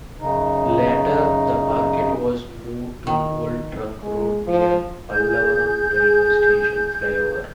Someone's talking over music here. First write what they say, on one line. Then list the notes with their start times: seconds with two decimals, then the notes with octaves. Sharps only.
Later the market was moved to Old Trunk Road near Pallavaram Railway Station Flyover.
0.21 F#2 C#3 D#4
3.07 D#3
4.00 G#3
4.47 F3
5.10 G#4 G6